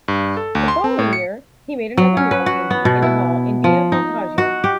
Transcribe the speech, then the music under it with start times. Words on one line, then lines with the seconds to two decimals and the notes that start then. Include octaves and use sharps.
The following year, he made another mural painting in a hall in Via Vantaggio.
0.08 G2
0.37 A4
0.55 D2
0.68 C6
0.84 C4
0.99 A2
1.13 C#7
1.98 F#3
2.17 C#4
2.31 B4
2.46 F#4
2.71 B3
2.85 B2
3.02 E4
3.64 F3
3.92 D#4
4.38 F#4
4.64 G4